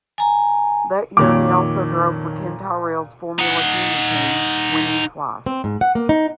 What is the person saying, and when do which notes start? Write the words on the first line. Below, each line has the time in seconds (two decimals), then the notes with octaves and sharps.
That year he also drove for Ken Tyrrell's Formula Junior team, winning twice.
0.18 G#5 A#5
1.17 F2 A#2 D#3 C#5 D6
3.39 D#4 F#5
5.46 C4
5.64 G#2
5.81 F#5
5.95 A#3
6.09 D#4